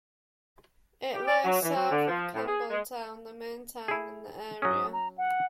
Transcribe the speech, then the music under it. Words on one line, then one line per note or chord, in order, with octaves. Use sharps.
It lies south of Campbeltown, the main town in the area.
G4
D5
F#3
E3
F#3
D3
F3
A2
G#4
G#3
E4 G#4
F#3 C#4 D#6
A#5
F#5